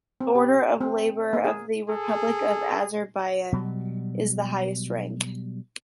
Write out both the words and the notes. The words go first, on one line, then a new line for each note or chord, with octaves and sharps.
The Order of Labor of the Republic of Azerbaijan is the highest rank.
C4
G4
C4
A#3
G#4
G#4 A4
B2 F#3 G3